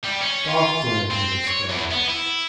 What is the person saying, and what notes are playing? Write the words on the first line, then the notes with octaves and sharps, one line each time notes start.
"Doctor!" he exclaimed.
G3
C#4
F4
C4
C#5
E2
B3
E4